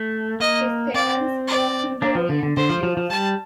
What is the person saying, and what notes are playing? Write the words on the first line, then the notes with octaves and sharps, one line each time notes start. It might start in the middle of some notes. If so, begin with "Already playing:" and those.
His parents were Hungarian Jews.
Already playing: A3
A#3 D#5
C4 D5
D5
A#3 D4
F3
D3
D3
D3 C5
F3
F3
F3
G3 A5